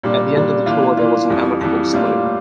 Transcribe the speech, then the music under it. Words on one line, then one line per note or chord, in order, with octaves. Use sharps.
At the end of the tour, there was an amicable split.
A#2 G3 D4
A#2 G3 D4
E3 A#3 D4 F4
E3 A#3 D4 F4
F2 E3 G3
F2 E3 G3
A2 G3 A#3 D4 F4
A2